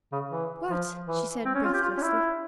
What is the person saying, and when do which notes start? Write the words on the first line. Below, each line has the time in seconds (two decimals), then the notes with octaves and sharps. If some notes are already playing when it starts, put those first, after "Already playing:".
"What?" she said breathlessly.
0.12 C#3
0.32 E3
0.69 F3
1.07 E3
1.45 C4
1.55 C#4
1.64 F4
1.74 G4
1.83 F4
1.97 C#4
2.02 E4